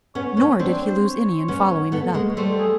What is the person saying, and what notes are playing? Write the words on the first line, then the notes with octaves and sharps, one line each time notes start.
Nor did he lose any in following it up.
B3 C#4 C#5
B3 C#4
C4 D4 C5
C5
C#5
B3 C#4
A3 B3
G#3 A#3
C#5
G3 A3 C5
G#4